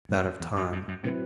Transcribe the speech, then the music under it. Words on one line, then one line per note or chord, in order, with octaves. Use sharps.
That of Time.
F#2
E2
F#2
F#2
F#2
A2 C3 F#3 C4 E4 B4